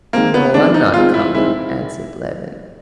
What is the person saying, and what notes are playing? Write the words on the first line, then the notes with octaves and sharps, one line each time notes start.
"No, I'm not coming," answered Levin.
D#3 G#3 A#3 C4
B3
D#3 G#3 C4 D4
D#4
D#3 G#3 C4 F4
E4
D#3 G#3 C4 E4